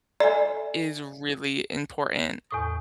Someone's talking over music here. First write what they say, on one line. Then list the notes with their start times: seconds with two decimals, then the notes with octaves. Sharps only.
is really important.
0.20 A4 D5 E5 G#5
2.51 E2 A2 D#6